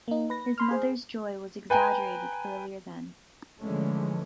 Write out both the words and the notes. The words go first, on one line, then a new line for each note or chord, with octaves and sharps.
His mother’s joy was exaggerated earlier then.
A#3 D#4
B4 A#6
B5 C6 F6
G#4 C5
B4 G5 G#5 A#5
D3 E3 F3 G#3 A3 C#4